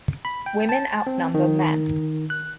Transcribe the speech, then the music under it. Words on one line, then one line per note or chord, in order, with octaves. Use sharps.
Women outnumber men.
B5
G5
A5
C4
D#3
F#6